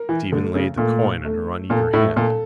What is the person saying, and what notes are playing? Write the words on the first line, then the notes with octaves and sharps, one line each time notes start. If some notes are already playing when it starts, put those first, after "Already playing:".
Stephen laid the coin in her uneager hand.
Already playing: A#4
E3
D3 A3
C#3
A#2 A3
A3
A#2 A4
A2
A#2 A4